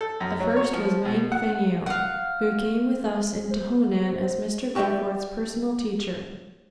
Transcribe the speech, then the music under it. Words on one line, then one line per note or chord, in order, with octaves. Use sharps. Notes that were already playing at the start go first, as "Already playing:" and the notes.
The first was Wang Feng-ao, who came with us into Honan as Mr. Goforth's personal teacher.
A4
F#2
F#3
C#5
F3
B2
F#5
F5 F#5
C5
F#4 G4 D5 E5 G5